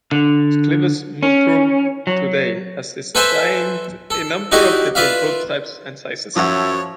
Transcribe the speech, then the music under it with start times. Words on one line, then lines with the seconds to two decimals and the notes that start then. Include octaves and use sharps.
Clivus Multrum today has designed a number of different prototypes and sizes.
0.12 D3
1.23 C#4
2.07 F#3
3.15 A4 B4 C5 E5 G#5 A5
4.10 A4
4.52 D#4 E4 F#4 G4 D5 D#5
4.95 F4 B4 D5 E5 F5
6.36 F#2 F3 C#5 E5 F#5